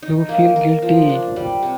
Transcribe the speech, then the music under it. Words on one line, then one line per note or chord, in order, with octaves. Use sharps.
You feel guilty.
D#4
A#3
A#4
F3
D4
G3
C3